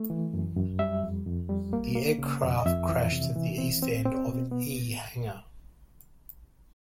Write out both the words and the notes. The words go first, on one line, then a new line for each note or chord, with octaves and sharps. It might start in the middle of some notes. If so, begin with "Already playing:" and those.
The aircraft crashed at the east end of E Hangar.
Already playing: A3
E3
F#2
F#2
G3 E5
F2
F2
G3
A#3
A#3
C#3
F2
D#5
F2 E5
E3
C3
E3
C4
C4
C4
B2
B3